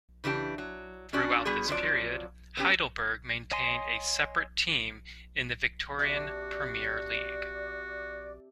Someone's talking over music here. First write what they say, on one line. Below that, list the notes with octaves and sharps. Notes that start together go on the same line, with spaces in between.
Throughout this period, Heidelberg maintained a separate team in the Victorian Premier League.
C#3 E3 D4 G4
F#3
C#4 D4 F#4 D5
G3 B3 F#4 G#4
F2 F3 F#3 D5
B3 C#4 G4
C#5 D#5 G#5 C6
C3 D4 F#4 D5 D6